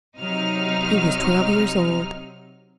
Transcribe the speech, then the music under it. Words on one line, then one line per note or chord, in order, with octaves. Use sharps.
He was twelve years old.
C3 F#3 D#4 F6